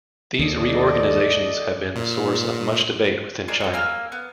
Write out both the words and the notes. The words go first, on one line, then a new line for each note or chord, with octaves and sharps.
These reorganizations have been the source of much debate within China.
D#2 A4 D5 D#5
A#2
D4 D#4 G#4 A#4
F#4 A4
A#3 G#5 E6 F6
B3